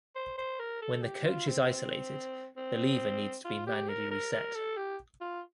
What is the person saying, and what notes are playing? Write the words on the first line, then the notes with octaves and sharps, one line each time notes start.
When the coach is isolated, the lever needs to be manually reset.
C5
C5
A#4
A4
G4
F4
C4
C4
F4
G4
A#4
A#4
A#4
A4
G4
F4